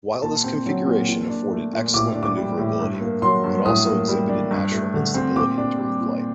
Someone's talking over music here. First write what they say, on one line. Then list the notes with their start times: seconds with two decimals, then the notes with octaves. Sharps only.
While this configuration afforded excellent maneuverability, it also exhibited natural instability during flight.
0.22 A#2 A5
0.44 C4
0.66 F#3
0.87 A#2
1.09 A#2
1.30 D4
1.51 A3
1.73 A#2
1.94 A2 D6
2.15 D4
2.23 D6
2.37 G3
2.58 A2
2.80 G2
3.01 A#3
3.22 F#3 C6
3.44 G2
3.66 A2 D#6
3.86 A#3
4.08 G3
4.29 D4
4.51 G2
4.72 A3
4.94 D3
5.14 C4
5.36 A#2 D6
5.58 D4
5.79 G3
6.01 A#2